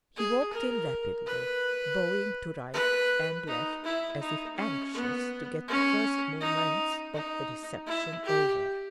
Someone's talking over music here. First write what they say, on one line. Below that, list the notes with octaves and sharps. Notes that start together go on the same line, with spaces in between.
He walked in rapidly, bowing to right and left as if anxious to get the first moments of the reception over.
G#4
A#4
B4
B4
D#4
E4
D#4
C#4
B3
C#4
D#4
D#4
E4
G4